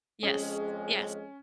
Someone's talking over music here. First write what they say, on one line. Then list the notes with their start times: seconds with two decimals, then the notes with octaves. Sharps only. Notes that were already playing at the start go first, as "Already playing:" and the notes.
Yes, yes.
0.23 F2 G#3 C#4 G#4